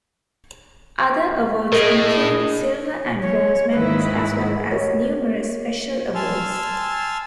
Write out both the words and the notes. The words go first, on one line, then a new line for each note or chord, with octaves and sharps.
Other awards include silver and bronze medals, as well as numerous special awards.
A2 G#4 A#4 D#5
C#5
G#2 D#3 E4 B4
F#4 G4 A#4 C#5 D#5
G#5 A5 C6 E6 F6